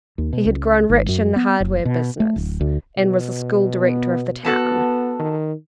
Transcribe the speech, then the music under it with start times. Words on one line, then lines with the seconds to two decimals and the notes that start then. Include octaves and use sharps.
He had grown rich in the hardware business, and was a school director of the town.
0.18 D#2
0.33 B2
0.45 C#2
0.90 G#1
1.09 F#2
1.36 B3
1.60 F#1
1.85 B2
2.20 A3
2.36 D1
2.61 D2
2.97 B2
3.82 B3
4.44 B3 F#4 A4 A5
5.20 D#3